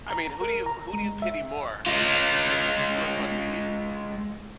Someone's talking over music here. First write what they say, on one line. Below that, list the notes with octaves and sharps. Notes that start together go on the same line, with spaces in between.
I mean, who do you who do you pity more, that that she threw up on me,
A#5
A#5
A#4
A#5
G#3
E5
G#3 F4